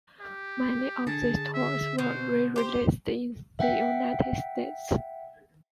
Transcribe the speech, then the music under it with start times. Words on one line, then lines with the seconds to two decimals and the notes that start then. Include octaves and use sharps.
Many of these toys were re-released in the United States.
0.20 G4
1.07 D3 G#4 A5
1.54 E5
1.98 B2 C5
2.56 G4 C5
3.59 E5 F#5 G5 B6